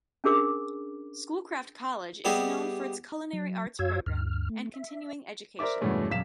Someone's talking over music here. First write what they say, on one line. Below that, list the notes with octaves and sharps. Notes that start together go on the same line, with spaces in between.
Schoolcraft College is known for its culinary arts program and continuing education.
C#4 D4 G#4 A#4 D6
G3 B3 G4 G#4 D#5 E5
F#3
F#2 F#4 C#5 F5 E6 G#6
D2 G2 F6
A3
E5
A#4 C5 D5 E5 D6
E2 G2 B2 G#3 A3 C#4
E1 F#2 F5 B6 E7